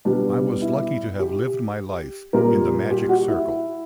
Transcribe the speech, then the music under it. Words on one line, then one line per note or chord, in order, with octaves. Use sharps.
I was lucky to have lived my life in The Magic Circle.
B2 G3 D4
E4
G4
A#2 G3 A#4
G4
F#4
E4